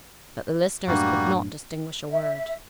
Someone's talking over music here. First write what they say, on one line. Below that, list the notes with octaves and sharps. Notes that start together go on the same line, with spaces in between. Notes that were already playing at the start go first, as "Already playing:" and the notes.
But the listeners could not distinguish a word.
F#2 A2 G3 A#3 D4 F#4
E5